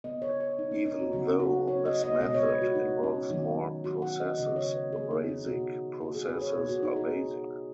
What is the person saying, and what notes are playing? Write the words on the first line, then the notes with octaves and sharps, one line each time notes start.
Even though this method involves more processes, the basic processes are basic.
C#3 B3 D#5
C#5
C#5
D#4
C#4
D#4
F#4
C#3 F#3 B3 F#4
F#4
C#5
D#5
D#5
B2 G#3 B3 D#5
C#5
B4
F#4
D#4
C#4
D#3 F#3 B3 D#4
F#4
F#5
D#5
C#3 B3 D#5
C#5
B4
G#4
D#4
D#4
B2 B3 F#4
F#4
G#4
B4
C#5
B2 B3
F#4
D#4
G#4